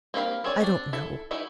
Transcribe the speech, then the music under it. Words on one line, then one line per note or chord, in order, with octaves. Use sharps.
I don't know.
A#3 C4 G4 F5 B5
C4 G#4 C#5 D5
C4 D4 D5
E4 A4
D#4 E4 F#4 G#4 B4